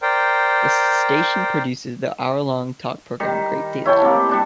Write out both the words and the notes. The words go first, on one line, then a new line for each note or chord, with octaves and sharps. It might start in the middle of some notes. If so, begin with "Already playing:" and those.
The station produces the hour-long talk program Great Day Live!
A#4 C5 D5 G5
D#3 G3
E4 C#5 G5 A5
C3 A#3
G3 D4 A5